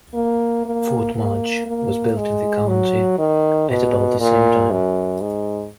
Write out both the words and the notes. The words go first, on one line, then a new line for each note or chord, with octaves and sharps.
Fort Mudge was built in the county at about the same time.
A#3
A#3
A#3
A#3
G#3
F#3
D#3
B2
A#2
F#2
G#2